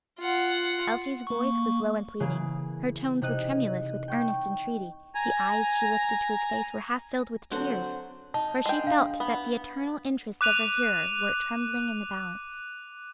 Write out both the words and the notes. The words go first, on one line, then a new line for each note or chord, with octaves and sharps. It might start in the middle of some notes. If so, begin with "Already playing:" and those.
Elsie's voice was low and pleading, her tones were tremulous with earnest entreaty, the eyes she lifted to his face were half filled with tears; for she felt that the eternal interests of her hearer were trembling in the balance.
F4 F#5
A#3 C#6
C#3 E3 A#3 G#4
C3 D#4 F#6 D#7
G5 C#6 G6
G#5 A#5
D3 F#3 C4 B4 C5 F#5
D#4 A5
G#3 G5
D4 F5
B3
D6 F#6 D#7 F7